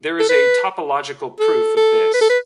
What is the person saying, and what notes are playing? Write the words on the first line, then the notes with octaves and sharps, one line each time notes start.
There is a topological proof of this.
A4
B4
A4
A4
B4
A4
B4